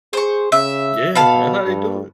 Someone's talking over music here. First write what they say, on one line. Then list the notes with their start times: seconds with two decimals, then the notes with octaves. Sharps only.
Yeah, that how they do it.
0.13 G#4 C5 C#6
0.52 C#3 E5
1.15 B2 A4 F5 B5
1.66 G2